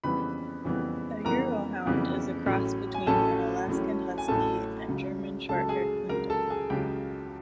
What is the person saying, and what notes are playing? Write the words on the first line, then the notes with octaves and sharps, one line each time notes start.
A Eurohound is a cross between an Alaskan husky and German Shorthaired Pointer...
F2 C#3 E3 G3 B3 B4 B5
F2 C#3 E3 G3 B3
F2 C#3 E3 G3 B3 A#4 A#5
F2 C#3 E3 G3 B3
A1 A2 F#3 A3 C#4
G#5
A1 A2 F#3 A3 C#4 A4 A5
A1 A2 F#3 A3 C#4
G#5
A1 A2 F#3 A3 C#4 A4 A5
C#2 C#3 F#3
C#2 C#3 F#3 A4 A5
G#4 G#5
C#2 C#3 F#3 A#4 A#5
A4 A5
G#4 G#5
C#2 C#3 F#3 G4 G5